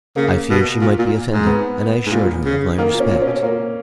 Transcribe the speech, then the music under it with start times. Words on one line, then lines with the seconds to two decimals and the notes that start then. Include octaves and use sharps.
I feared she might be offended, and I assured her of my respect.
0.16 C#3 A#3
0.50 B2
0.81 A#2
0.99 A#2
1.31 G#2
1.46 B3
2.06 G#2
2.12 A#2
2.45 C#3
2.78 D#3 A#3
2.94 A#2
3.00 C#4
3.10 A#2
3.22 B2 C#4
3.42 A#2 A#3